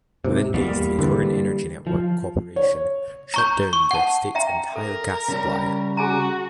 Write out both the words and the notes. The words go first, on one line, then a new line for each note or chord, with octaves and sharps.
Within days, the Victorian Energy Network Corporation shut down the state's entire gas supply.
G#2 C3
E2 G3 A#3
D3 E3
F3
C#5
A#5 C#6 G6
C#6
F#5 A5
E5 G5 A#5
A4 A#4
C#3 G3
F#4 G#4 G#5 A#5